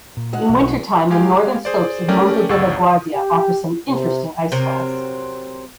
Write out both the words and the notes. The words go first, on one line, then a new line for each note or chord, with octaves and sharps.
In wintertime the northern slopes of Monte della Guardia offer some interesting icefalls.
A#2
D2 G#3 F#5
B1 E3
B1
G#3 G4 F5 G#5
G#4 C5 D5
A3 C#4 G4 A#4 D5 G5
G1 C#2 F#5 C#6 E6 A6
G4
C3
C3 F#3 C4 A#4